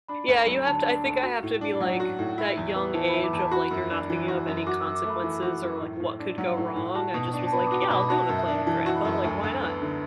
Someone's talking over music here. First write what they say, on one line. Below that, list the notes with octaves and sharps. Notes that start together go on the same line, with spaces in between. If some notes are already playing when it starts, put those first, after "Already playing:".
Yeah, you have to I think I have to be, like, that young age of, like, you're not thinking of any consequences, or, like, what could go wrong. I just was, like, "Yeah, I'll go on a plane with grandpa," like, "Why not?"
D4 B5
D2
F#3
D3 A5
D4
D2
F#4
A2
D4
F#3 F#5
F#4
A2
E4
E2
B3
E3 A5
B5
E4
D6
E2 A5
F#4 B5
F#2
D4
E3
F#4
F#2
F#4 D6
E6
F#2
D6
A3
B5
E3
F#4
F#2
A2
A2
D4
F#3 F#5
A2
A2
F#4 A5
B2
D4
A5
B3 B5
D6
F#4
D6
B2 B5
F#4 A5
F#2
E5
D4
E3 A5
F#4
B5
F#2
D2
D2
B3
D3